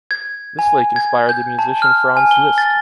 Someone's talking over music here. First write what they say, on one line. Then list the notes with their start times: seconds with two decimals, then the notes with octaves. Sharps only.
This lake inspired the musician Franz Liszt.
0.11 G#6
0.59 G#5
0.96 G#6
1.29 G6
1.59 A5
1.82 F6
2.17 G#5
2.31 G7
2.58 A6